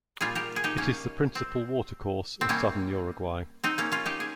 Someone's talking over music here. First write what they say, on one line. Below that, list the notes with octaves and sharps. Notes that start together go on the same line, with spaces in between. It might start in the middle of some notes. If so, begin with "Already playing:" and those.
It is the principal watercourse of southern Uruguay.
A#2 G3 F4 G#4
G4 A#4
G#4
D#4 G4
A#3 C#4
C4
C4
C3 G3 A#3 C#4
C4 D#4
A#3 C#4
C#4 F4
D#4 G4
G#4